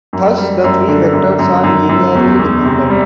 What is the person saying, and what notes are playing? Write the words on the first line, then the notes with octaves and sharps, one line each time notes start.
Thus, the three vectors are linearly dependent.
F#2
G3
F#2
D3
F#2
F#2
F#2
F#2
E2
E2
C3
G3